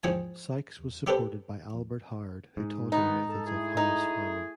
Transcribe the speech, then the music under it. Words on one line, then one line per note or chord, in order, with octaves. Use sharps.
Sykes was supported by Albert Howard who taught him methods of humus farming.
G#2 F3 G5 G#5
G3 G4 A4 B4 C5
G#2
B2 D#3 B3 D#4
A4 A5
A3 E4 G#4
D#4